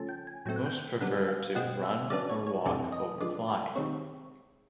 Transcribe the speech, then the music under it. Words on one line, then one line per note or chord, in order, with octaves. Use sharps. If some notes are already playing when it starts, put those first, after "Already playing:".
Most prefer to run or walk over flying.
Already playing: C#3 F3 A3 C#4 A5
G5
G#5
A2 F#3 A3 C4 G5
F#5
G5
F#2 D3 G3 B3 F#5
F5
B2 G#3 C4 F#5
E5
C#3 F#3 B3 D4 D5
C#5
C#5
F2 C3 E3 A3 D4 D5
D#5
D3 F3 G#3 D5
D5
C3 D#3 G#3 C4 C#5